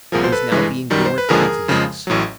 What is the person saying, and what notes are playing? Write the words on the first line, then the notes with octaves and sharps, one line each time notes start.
I was now being borne on to these.
C2 A#2 F3 G#4 A#4
C5
A4 B4
G2 E3 G#3
F#2 D#3 G3
C5
B4
D#2 D3 F3 G#3 G#4 A#4
F2 C#3 F3 G#3
A1 A2 F#3